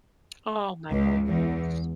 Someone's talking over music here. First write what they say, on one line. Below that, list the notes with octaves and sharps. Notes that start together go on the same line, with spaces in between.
Oh, my goodness.
C#2
E2